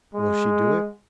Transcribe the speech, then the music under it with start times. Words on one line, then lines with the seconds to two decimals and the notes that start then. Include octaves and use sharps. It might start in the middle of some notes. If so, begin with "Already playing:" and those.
Will she do it?
0.14 G#3